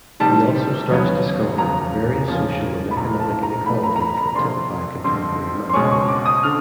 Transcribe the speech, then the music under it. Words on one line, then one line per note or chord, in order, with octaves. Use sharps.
He also starts discovering the various social and economic inequalities that typify contemporary Manipur.
C3 D#3 G3 A5
D#2 C#3 F#3 B3
E2 C#3 F3 A#5
E2 C#3 F3 A#3 C#4
B5
C2 A#2 F3 A#5
A5
A#5
A2 F3 A3 D4 B5
A#5
A#5
B5
A#5
C3 F3 A#3 D4 C6
F2 D3 G3 C4 C6
C6
C#2 B2 G#3 C#4 C#6
C#6
D6
D#6
D3 F6